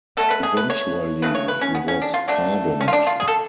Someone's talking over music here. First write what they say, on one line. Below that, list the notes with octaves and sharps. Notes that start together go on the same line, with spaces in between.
Eventually he was pardoned.
B2 F#3 A3 A4
B4
G#4
B4
C#5
C#3 F#3 A3 B4
C#5
B4
C#4
B3
C#4
D4
F4
D3 F#3 A3 D4
C#4
F4
D4
F4
G#4
A4